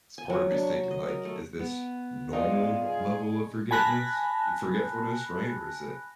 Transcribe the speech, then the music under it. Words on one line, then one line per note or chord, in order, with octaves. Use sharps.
s part of me is thinking, like, "Is this normal level of forgetness forgetfulness, right, or is it
G#5
F#3
D4
C#6
D#5
A#4
A3
B3
G2 G#3 D#4 F4 D5 C#6
G#4
G#5 A5 B5 F#6 A#6